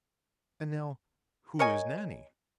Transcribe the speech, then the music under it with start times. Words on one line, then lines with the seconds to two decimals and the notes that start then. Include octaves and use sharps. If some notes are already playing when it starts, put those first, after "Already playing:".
And, now, who is Nannie?
1.59 A#4 C#5 D#5 G#5